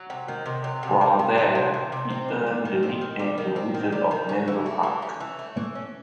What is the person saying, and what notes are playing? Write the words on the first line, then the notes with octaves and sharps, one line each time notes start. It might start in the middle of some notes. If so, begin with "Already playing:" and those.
While there, he earned the nickname "the Wizard of Menlo Park".
Already playing: F#3
C3
D#3
C3
F#3
C3
D#3
C3
F#3
C3
D#3
C3
C4
D#3
G3
D#3
C4
D#3
G3
D#3
C4
D#3
G3
D#3
C#4
E3
A3
E3
C#4
E3
A3
E3
C#4